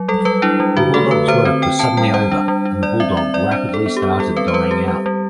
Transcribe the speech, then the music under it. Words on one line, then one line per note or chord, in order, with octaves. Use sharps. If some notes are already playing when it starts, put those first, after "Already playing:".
The bulldog's work was suddenly over and the bulldog rapidly started dying out.
Already playing: F#3
G3 A4
G3 B4
D4 E4
G3
D3 F#4
A3 A4
D3 B4
D3 C5
C4
C4 G5
C4 A5
G3 G5
G3 C5
D4
G3
D4
G3 D5
C4 E5
C4 E5
G3 D5
D4 C5
D4 A4
B3
G4
B3
G3 A4
C4 B4
C5
G3 B4
G3 G4
G3
G3